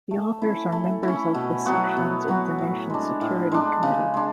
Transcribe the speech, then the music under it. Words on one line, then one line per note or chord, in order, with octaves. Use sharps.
The authors are members of the Section's Information Security Committee.
A3
C#4 E4
A3
C#4 E4
B2
F#3 B3 F#4
B2
F#3 B3 F#4
A2
G#3 D4
A2
G#3 D4
C#3
G#3 D4